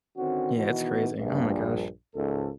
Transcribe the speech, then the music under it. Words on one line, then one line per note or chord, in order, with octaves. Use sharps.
Yeah, it's crazy. Oh my gosh.
D3 D#3 C4 C#4 F#4
B2 D#3 E3 B3 D#4 F#4
A#1 G2
C#2 G#2 A4